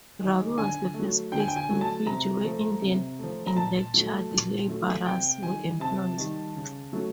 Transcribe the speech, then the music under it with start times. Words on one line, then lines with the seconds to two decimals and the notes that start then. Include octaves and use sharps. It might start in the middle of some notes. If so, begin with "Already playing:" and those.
Rabi was the first place in Fiji where Indian indentured labourers were employed.
0.19 D#3 G#3
0.58 D3 G#5
0.94 A3
0.99 F#3
1.32 D3 G5
1.39 G#5
1.48 G5
1.56 G#5
1.69 F#3 A3
1.81 A5
2.06 C3 A#5
2.44 F3 A3
2.82 C3
3.19 F3 A3
3.47 A#5
3.57 A#2 A5
3.94 F#3 A3
4.31 A#2
4.68 F#3 A3
5.06 C3 G5
5.43 D#3 G3 G#5
5.80 C3 A5
6.18 D#3 G3
6.55 C#3
6.93 F#3 A3